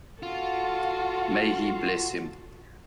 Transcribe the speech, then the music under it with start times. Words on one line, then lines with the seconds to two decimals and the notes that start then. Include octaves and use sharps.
May he bless him.
0.23 F4 F#4 A4